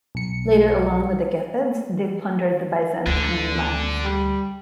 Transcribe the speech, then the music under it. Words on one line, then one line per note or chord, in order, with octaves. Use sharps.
Later along with the Gepids they plundered the Byzantine lands.
B1 C#7
D2 D3
G3